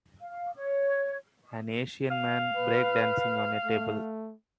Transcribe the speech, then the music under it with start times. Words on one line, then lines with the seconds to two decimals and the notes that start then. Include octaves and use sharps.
An Asian man breakdancing on a table.
0.21 F5
0.57 C#5
2.11 F5
2.57 B4
3.65 A3